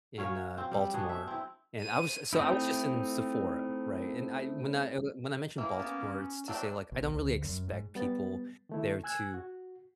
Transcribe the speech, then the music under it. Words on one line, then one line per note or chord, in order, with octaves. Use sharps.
in, uh, Baltimore, and I was so I was just in Sephora, right, and I when I, eh, when I mentioned Baltimore, it's to say, like, I don't really expect people there to
F#3 C#4 C#5 F5
C4
G3
B3 D4 F#4 G#4
E5
C4 E4
D#7
A3 C4 D#4 E4
E3 A#3
B3 C#4
F#3 A3 C4 D4
B1
D2
F#2
G#2
G3 B3 A6
D#3 A3 E4
G#5 E6 F#6 G#6
F#4